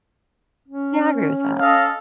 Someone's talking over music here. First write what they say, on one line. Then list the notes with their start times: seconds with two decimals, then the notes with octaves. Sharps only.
Yeah. I agree with that.
0.68 C#4
1.59 A4 D#5 F5